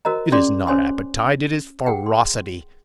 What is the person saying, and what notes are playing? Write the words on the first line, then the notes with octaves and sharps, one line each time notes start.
It is not appetite, it is ferocity.
F#4 A#4 C5 D#5 A#5
C#4 G#4 D5 C6 D6
C#4 C5 C#5 G#5 C6 D6
G#4 F#5 G5
C6